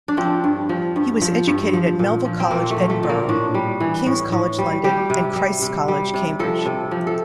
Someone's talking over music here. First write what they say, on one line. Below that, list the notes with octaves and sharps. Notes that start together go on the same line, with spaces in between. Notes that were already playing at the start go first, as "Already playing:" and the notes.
He was educated at Melville College, Edinburgh; King's College London and Christ's College, Cambridge.
D4
F3 C4
G2
F3
G2
F3
G2
F3
A#2
F3
C4
A#2 A#3
A3
F3
A3
A#2
A#3
A2 D4
G3
E3
A2
A2
G3
G3 G4
C3
G3
C3
G3
C3
F3 A4
C3
F3
A4